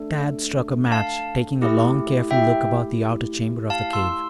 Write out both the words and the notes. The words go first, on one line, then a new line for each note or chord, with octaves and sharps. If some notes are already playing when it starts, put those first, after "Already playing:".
Tad struck a match, taking a long, careful look about the outer chamber of the cave.
Already playing: A3 D4 A4
F5 A5
A3 E4 G4
E5 G5
F5 A5
C6 E6